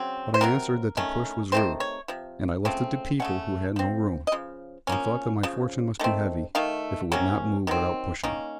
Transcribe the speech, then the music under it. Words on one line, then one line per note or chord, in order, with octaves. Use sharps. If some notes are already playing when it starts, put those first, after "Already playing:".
But I answered that to push was rude, and I left it to people who had no room; and thought that my fortune must be heavy, if it would not move without pushing.
Already playing: C#3 F#3 C4
C5
C3 F#3 C4 A#4
D#3 A3 C#4
C3 D#3 A3 C4 C5
C#5
C3 F3
C#3 F3 A3 C4
C#3 A3 C#4 F#5
F3 C4
D#5
C#3 F3
F3 A#3 C#4
C#3 F3
D#3 A3 C4
D#3 A3 F5
C3 F#3 A#3 C#4
D#3 F#3 C4
D#3 A#3 C#4